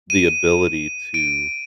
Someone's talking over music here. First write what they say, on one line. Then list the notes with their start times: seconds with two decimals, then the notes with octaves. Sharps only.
the ability to
0.10 D#7
1.14 D7